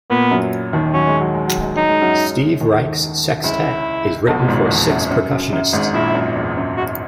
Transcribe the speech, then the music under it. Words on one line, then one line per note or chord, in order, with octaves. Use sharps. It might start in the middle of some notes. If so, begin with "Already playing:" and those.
Steve Reich's "Sextet" is written for six percussionists.
A#2 A#3 B3
F#2 F#3
D#2 D#3
F#3 C#4
G#3
F#3
G#3
F#3
G#3
F#3 D#4
G#3
F#2 F#3
D#2 D#3
C#2 C#3 E4
B1 B2
A#2
G#1 G#2
E2
F#2
F#2
F#2
F#2
G#1 G#2
A#1 A#2 E4
F#2
E2
F#2
F#4